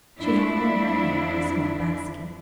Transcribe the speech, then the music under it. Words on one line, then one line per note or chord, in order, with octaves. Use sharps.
She had in her hand a small basket.
F2 D4 E4